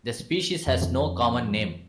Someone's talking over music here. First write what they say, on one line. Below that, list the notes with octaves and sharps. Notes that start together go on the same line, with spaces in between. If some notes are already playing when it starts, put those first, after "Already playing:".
The species has no common name.
F2